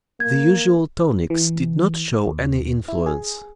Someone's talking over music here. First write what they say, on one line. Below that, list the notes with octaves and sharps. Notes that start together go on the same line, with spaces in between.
The usual tonics did not show any influence.
A#3 G#6
E3
D#2
E4
G#4